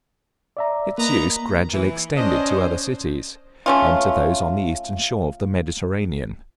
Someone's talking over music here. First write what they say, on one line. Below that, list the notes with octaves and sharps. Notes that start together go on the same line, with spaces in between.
Its use gradually extended to other cities, and to those on the eastern shores of the Mediterranean.
D5 E5 A#5
A#3 B4 D#5 A#5
E3
C#4 D4 C5 D5 D#5
A3 C#4 F4